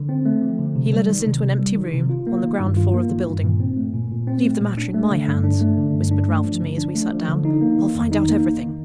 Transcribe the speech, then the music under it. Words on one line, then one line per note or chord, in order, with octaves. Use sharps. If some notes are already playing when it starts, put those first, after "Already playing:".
He led us into an empty room, on the ground-floor of the building. "Leave the matter in my hands," whispered Ralph to me, as we sat down. "I'll find out everything."
Already playing: D3
C4
A3
F3
D3
C3
G3
D#3
C3
C3
G3
D#3
C3
F4
A#3
D#3
G2
F4
A#3
D#3
G2
A#2
C4
A3
A#2
A#2
C4
A3
A#2
D4
A3
D3
G2
D4
A3
D3
G2
D4
A3
F3
D3
D4
A3
F3
D3
D#4
A#3
D#3
F2
D#4
A#3
D#3